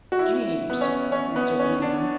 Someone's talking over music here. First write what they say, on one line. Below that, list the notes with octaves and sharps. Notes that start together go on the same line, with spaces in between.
"Geemes," answered the man.
F#4
E4
B3
C#4
C#4
B3
C#4
D4